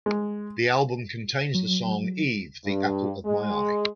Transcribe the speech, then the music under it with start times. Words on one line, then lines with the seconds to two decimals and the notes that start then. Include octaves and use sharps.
The album contains the song, "Eve, the Apple of My Eye".
0.06 G#3
1.55 F#3
2.64 G2
3.25 G#3